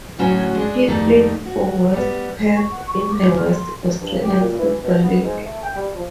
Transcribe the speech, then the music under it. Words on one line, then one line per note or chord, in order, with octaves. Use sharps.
He played for West Perth in the West Australian Football League.
D2 A2 F#3 C#4 F#4 G#5
G#3 D4
F2 D#3 G3 A3 D4 D#4
F#4
G3 B3
C#6
F#5
C#6
D6
F6
C6
G2
G4
A#2
E3
B2
B3
G#2
A3
G5
G3
F3